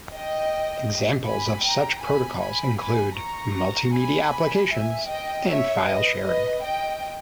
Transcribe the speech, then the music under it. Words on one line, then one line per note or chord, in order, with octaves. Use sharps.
Examples of such protocols include multimedia applications and file sharing.
D#5 G5
G#5 B5
G5 A#5
G#5 B5
G#5 B5
G#5 B5
A#5 C#6
G#5 B5
E5 G#5
D#5 G5
C#5 E5
B4 D#5
B4 D#5
D#5 G5